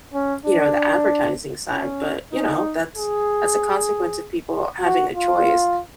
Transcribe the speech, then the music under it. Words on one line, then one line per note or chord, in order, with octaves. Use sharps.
you know, the advertising side, but, you know, that's that's a consequence of people having a choice.
C#4
D4
C#4
D#4
G#4
F#4
F4